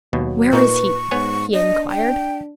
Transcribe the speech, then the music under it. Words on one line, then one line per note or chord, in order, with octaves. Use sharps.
"Where is he?" he inquired.
D#2 B2 F#3
A#2 A#3 D#4 B4 C#6
G#2 B3 C#5 G#5
D4 D#5
G5